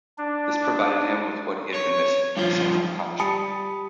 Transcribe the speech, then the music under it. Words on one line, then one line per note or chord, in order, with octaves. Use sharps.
This provided him with what he had been missing; a sense of accomplishment.
D4
C#5
G2 F3
G3 A5 B5 D#6 C#7